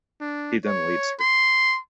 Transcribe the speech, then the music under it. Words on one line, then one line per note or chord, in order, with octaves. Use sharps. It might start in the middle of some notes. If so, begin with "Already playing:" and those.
He then leaves her.
D4
C#5
C6